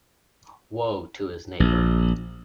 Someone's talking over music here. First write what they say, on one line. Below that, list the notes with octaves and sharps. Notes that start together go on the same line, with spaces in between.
Woe to his neighbor!
A#1